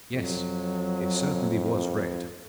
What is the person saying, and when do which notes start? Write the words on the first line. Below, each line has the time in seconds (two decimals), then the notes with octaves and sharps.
Yes! it certainly was red!
0.14 F2 F#3